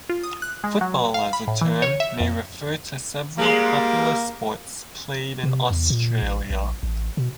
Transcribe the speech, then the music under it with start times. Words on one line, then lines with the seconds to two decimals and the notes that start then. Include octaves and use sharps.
Football, as a term, may refer to several popular sports played in Australia.
0.09 F4
0.23 D#6
0.42 F#6
0.64 G#3
0.81 F#3
1.14 F5
1.33 B5
1.47 A2
1.61 E3
1.82 C#5
2.00 E5
2.20 F2
3.38 G3 G#3 A#3
5.43 C3
5.71 E2
5.90 A#2
6.22 A1
6.50 A#1
6.83 A1
7.17 B2